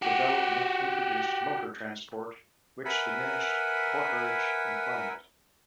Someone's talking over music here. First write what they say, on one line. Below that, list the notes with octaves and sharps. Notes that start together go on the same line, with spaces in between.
Development introduced motor transport, which diminished porterage employment.
F#4 G4
A#4 B4 E5 F#5 G#5 B5